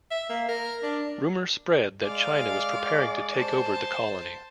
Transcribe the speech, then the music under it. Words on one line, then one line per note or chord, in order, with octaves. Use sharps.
Rumors spread that China was preparing to take over the colony.
E5
A#3
A#4
D4
G#3 D5 F5
C5 A5